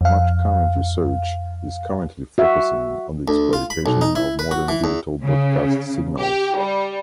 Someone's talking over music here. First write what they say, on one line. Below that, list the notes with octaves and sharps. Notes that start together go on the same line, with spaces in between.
Much current research is currently focusing on the exploitation of modern digital broadcast signals.
F2 F5
F#4 E5
D2
F4
B5
B1
D#4
E4
B4
F#4
E3
E2
C#3
G4
G3